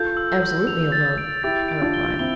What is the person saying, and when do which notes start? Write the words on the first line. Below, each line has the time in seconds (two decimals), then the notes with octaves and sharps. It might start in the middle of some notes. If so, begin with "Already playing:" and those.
"Absolutely alone," I replied.
Already playing: F4 A4 G6
0.17 E6
0.43 E6
0.67 F7
0.92 A6
1.18 D7
1.43 E4 G4 A6
1.68 D7
1.82 D4 F4
1.94 G7
2.19 C4 E4 G7